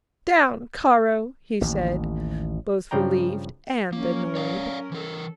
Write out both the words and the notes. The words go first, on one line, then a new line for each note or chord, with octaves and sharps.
'Down, Caro!' he said, both relieved and annoyed.
A1 D#2
G2 C#3 F3 D5 G5 A#5
F#3 A#3 C#4 A#4
C#5 D5 F5
E3 A4 A#4